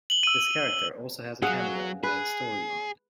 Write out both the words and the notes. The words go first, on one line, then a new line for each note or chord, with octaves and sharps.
This character also has a cameo in the main storyline.
F#7 G7
E6 D#7
F#3 G#4 F5 F#5
G#4 B4